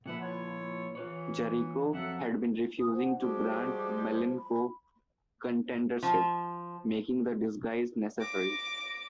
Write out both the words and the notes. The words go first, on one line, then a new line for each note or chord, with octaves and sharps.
Jericho had been refusing to grant Malenko contendership, making the disguise necessary.
A#2 F3 B4 E5 F#5
E4 F4 C#5
E3 F4 B4 C#5
F2 F#3 A4 E5 F#5
G#5 D#6
D4 C5 F#5
F3 G3 G#3 F#4 D6
C5
B5
F3
D6 A#6